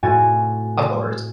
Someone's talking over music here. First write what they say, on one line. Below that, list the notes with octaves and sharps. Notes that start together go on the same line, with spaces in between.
Of course.
A2 C4 F#4 G#5 A6 D#7